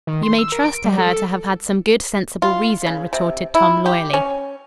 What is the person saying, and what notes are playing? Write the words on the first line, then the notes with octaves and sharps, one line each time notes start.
"You may trust to her to have had some good, sensible reason," retorted Tom loyally.
D#3
C6
E6
A#4
D7
G3
A4
A4
F4
C#3
C3
E4
G4
C#4